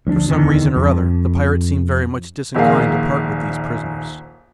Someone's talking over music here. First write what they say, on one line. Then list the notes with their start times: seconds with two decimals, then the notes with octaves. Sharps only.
For some reason or other, the pirates seemed very much disinclined to part with these prisoners.
0.07 D2 F3 C#4 D4
0.28 D1 E2 D3 D#3
0.76 F2
2.55 D#1 A#1 G#4 A#4 F5